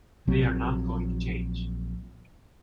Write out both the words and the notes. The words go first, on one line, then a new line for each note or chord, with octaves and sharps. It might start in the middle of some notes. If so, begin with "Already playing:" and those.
They are not going to change.
A#1 F#3 C4